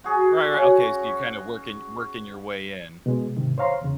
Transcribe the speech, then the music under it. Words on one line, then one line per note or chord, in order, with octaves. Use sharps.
Right, righ okay, so, you kinda working working your way in.
F#4 G#4
C#4 F#4
B2 G#3
G#2 C3 D#3
C5 C#5 F5 A#5 C6
E2 C#3